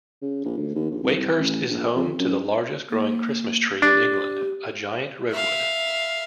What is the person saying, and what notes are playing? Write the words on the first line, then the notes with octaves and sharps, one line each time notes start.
Wakehurst is home to the largest growing Christmas tree in England, a giant redwood.
C#3
A#1
D2
D#2
A#1
C2
A1
A#1
F2
F#2
A#3
D4 G4
E5 F5